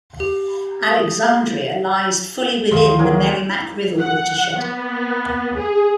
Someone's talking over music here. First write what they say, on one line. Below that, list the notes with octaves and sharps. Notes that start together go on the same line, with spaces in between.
Alexandria lies fully within the Merrimack River watershed.
G4
D#6
D2 D#3 C5 D#5 F5
F#3 A#3 G#4
F#5
B3
G#4